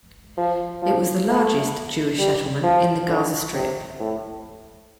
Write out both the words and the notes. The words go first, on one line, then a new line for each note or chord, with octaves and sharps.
It was the largest Jewish settlement in the Gaza Strip.
F3
F3
A3
G3
F3
D3
C3
A2